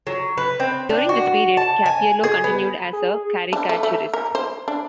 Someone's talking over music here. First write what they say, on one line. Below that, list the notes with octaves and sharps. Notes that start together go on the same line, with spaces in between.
During this period, Cappiello continued as a caricaturist.
F#3
B4
C4
D4
F#4
A5
G#5
G#4
B3
G#4
D4
A3
A3
A#4
C5
D4